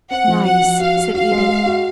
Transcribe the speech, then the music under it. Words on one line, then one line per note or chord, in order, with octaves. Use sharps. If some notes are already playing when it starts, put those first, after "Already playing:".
"Nice!" said Edith.
C4 F#5
F3
F#4 F#5
F3
F#4 F5
F#4
F#4 F5
G#3
G#3
F#4